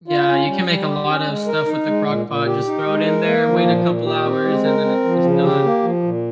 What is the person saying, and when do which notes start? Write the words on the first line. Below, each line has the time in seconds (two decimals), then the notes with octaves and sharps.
Yeah. You can make a lot of stuff with the crockpot. Just throw it in there, wait a couple hours, and then it's just done.
0.08 F4
0.28 C#4
0.47 G3
0.67 G3
0.87 G4
1.07 C#4
1.27 G#3
1.47 A#4
1.66 D#4
1.86 G#3
2.06 A#2
2.26 A#2
2.46 G4
2.66 D#4
2.86 G#3
3.06 A#4
3.26 A#3
3.45 F3
3.65 A#2
3.85 A#2
4.05 G4
4.25 C4
4.44 G#3
4.64 A#4
4.84 C4
5.04 F3
5.24 C#3
5.44 G4
5.64 A#3
5.83 F3
6.03 A#2